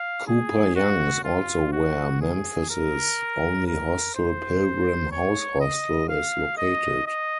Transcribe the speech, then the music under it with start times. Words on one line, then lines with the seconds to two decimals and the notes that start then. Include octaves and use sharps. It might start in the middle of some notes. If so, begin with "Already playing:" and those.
Cooper Young is also where Memphis' only hostel, Pilgrim House Hostel, is located.
Already playing: F5
0.27 G#4
0.76 F#4
1.24 F4
1.72 F#4
2.21 G#4
2.70 A#4
3.67 A#4
4.15 C5
5.12 C#5
5.60 D#5
6.09 F5
6.57 D#5
7.06 D#5